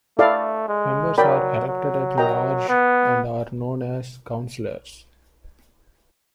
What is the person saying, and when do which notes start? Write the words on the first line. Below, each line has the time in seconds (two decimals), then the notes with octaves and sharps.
Members are elected at large and are known as Councillors.
0.17 A3 E4 A4 D5 F5
0.68 G#3
1.18 F#3 A#4 D5 G5 B5
1.68 F#3
2.18 A#4 D#5 G5 A#5
2.68 B3